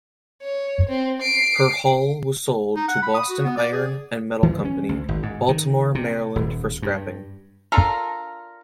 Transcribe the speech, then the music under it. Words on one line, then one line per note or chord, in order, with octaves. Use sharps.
Her hull was sold to Boston Iron and Metal Company, Baltimore, Maryland, for scrapping.
C#5
C4
C7 D7
D#4
F#5
B5
D#6
F#4
B3
D5
G#4
E3
C#4
D2
G#1
G#2
D#3
C3
D#1
G2
D4 F4 A4 A#4